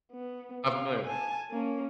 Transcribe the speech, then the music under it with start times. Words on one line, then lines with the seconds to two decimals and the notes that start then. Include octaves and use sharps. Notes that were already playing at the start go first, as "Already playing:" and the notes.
Not familiar.
0.12 B3
0.68 F5
1.07 G#5 A5
1.51 A#3 C#4